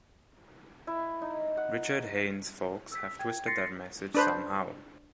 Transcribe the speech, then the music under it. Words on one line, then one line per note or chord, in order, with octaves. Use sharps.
Richard Haynes’s folks have twisted that message somehow.
E4
D#4
F#5
E6 B6
G5 G#6
C6 A6 A#6 C7 C#7
D4 B4 C5